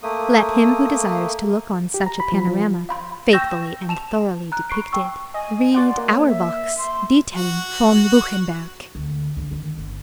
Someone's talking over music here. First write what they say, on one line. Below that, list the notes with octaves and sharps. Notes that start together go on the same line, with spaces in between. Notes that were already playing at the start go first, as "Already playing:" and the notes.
Let him who desires to look on such a panorama, faithfully and thoroughly depicted, read Auerbach's "Diethelm von Buchenberg."
A3 A#3 D#6
G4
A#5
B5
F3
F3
F5 B5 C6
G5 C#6 E6 G6 A#6 E7
A5 E7 F7
A#5 F#6
B5 C#6 C7 D7
G5 A5 C#6 E6
D#5 G#5
F#4 D5 F#5 C6
A#3
C#5
E5
C6
F#4
D2
G2 D3
D#3
G1